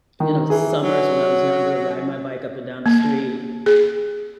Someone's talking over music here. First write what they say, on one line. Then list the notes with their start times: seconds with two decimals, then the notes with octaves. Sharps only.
you know, s summers when I was younger, riding my bike up and down the street,
0.20 D#3
0.50 E3 G#4
0.83 F#3
2.86 A#3
3.66 G#4